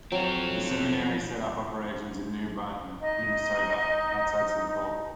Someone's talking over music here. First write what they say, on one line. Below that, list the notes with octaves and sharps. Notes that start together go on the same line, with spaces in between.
The seminary set up operations in New Brighton, Minnesota, outside Saint Paul.
F3 F#3 C4
D#4 D#5